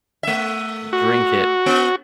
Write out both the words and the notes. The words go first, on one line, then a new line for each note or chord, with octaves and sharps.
drink it,
A3 E5
F#4
B3